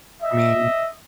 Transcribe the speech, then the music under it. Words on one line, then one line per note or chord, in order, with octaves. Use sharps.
I mean
D#5 E5